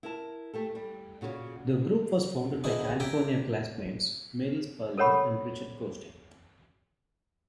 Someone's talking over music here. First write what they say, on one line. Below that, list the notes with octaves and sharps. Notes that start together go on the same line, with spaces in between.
The group was founded by California classmates Mary Sperling and Richard Gosting.
E4 A#4 A5
A3 G4 A4
G3
A#2 C#3 F#4 A4 C#5
G#2 D3 D#3 E4 G#4
G4 A#4 E5 G5 G#5
A4 A#4 C#5 F#5 B5 C#6